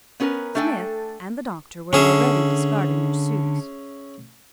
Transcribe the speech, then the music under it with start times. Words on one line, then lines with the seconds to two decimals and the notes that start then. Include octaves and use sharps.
Smith and the doctor were already discarding their suits.
0.20 B3 C#4 G#4 A#4 B4
0.55 A3 D4 A4 E5 G5 G#5
1.93 D3 C#4 G#4 E5